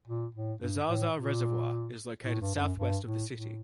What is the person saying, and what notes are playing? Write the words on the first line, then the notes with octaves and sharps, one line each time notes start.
The Zaza Reservoir is located southwest of the city.
A#2
A2
G2
A2
A#2
A2
G2
G2
F#2
G2
A2
A2